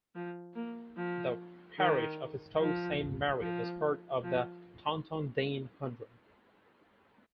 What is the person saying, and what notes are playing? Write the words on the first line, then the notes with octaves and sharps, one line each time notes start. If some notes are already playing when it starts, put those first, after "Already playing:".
The parish of Stoke Saint Mary was part of the Taunton Deane Hundred.
F3
A#3
F3
D#3
F3
F3
F3